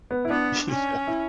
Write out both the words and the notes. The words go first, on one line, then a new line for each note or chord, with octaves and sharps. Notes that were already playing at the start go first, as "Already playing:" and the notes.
you know,
B3
E4
B3 D4
C#4
E4